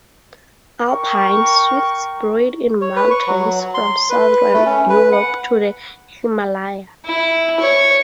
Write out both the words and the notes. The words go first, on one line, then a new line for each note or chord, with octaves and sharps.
Alpine swifts breed in mountains from southern Europe to the Himalaya.
A#4 G5 C#6
C#5
B4
C#6
F#3
C6
B4
A3
C#4
B4
F#5
E4
C#5